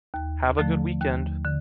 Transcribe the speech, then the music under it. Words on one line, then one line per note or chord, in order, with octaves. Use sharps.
Have a good weekend!
D#2
D3 F3 A3
D#2
D3